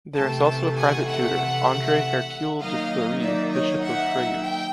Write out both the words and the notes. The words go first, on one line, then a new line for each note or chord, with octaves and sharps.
There is also a private tutor, André Hercule de Fleury, Bishop of Fréjus.
C3 E3 A3 G5 A5
F#5 G#5
E5 F#5
D#3 F#3 A#3 D#4 D#5 F5
D5 E5
C#5 D#5
E5 F#5
G5